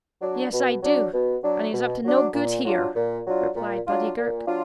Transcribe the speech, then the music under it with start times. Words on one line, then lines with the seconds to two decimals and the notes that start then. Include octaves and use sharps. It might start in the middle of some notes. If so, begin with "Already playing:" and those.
"Yes, I do, and he's up to no good here," replied Buddy Girk.
0.21 F#3 D4
0.52 B2
0.83 F#3 D4
1.13 B2
1.44 F#3 D4
1.73 B2
2.04 F#3 D4
2.34 A#2
2.64 F#3 D4 F4
2.95 A#2
3.25 F#3 D4 F4
3.56 A#2
3.87 F#3 D4 F4
4.17 A#2
4.47 F#3 D4 F4